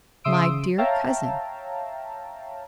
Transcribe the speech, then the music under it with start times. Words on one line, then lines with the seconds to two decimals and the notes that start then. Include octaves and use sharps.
"My dear cousin."
0.24 C#3 E5 C6 D#6 E6 D7
0.78 C#5 E5 F5 G5 A5 A#5